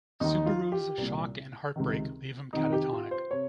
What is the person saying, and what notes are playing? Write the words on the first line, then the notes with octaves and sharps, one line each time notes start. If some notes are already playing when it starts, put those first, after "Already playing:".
Subaru's shock and heartbreak leave him catatonic.
D#2 D#3 D#4
F4
G4
C2 A#2
C#2 C3 D#3
F2 C3 D#3 D#4
G4
F4
C5
C3 C#5